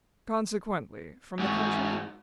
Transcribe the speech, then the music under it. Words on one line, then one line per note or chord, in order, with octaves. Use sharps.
'Consequently, from the country?'
G#2 F#4